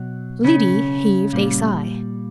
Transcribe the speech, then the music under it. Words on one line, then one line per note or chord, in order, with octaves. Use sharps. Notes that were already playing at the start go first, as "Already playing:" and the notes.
Liddy heaved a sigh.
Already playing: B2 F#3
C#3 C#4
A#2 G3